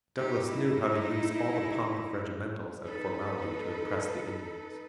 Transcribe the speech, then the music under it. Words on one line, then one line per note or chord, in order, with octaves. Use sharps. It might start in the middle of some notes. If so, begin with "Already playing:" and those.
Douglas knew how to use all the pomp of regimentals and formality to impress the Indians.
D#4 G4
D#4 E4
D#4 A4 B4